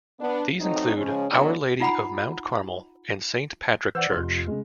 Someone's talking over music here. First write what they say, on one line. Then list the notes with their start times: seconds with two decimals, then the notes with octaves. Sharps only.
These include Our Lady of Mount Carmel and Saint Patrick Church.
0.20 B3 D4
0.60 F#3 A3 C4 D#4
0.97 C#3 F3 G#3 C#4
1.32 D3 F#3 A3 B3 D4 E4
1.80 D#4 F4 F#5 A#5 B5
3.95 E3 C5 D5 F#5 E6
4.12 F1 F2 F4
4.47 C#3 G#3